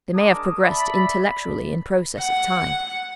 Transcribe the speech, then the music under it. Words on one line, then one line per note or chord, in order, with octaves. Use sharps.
They may have progressed intellectually in process of time.
G#3 D4 A#4 A5 D6 D#6
D5 E5 A5 B5
F#5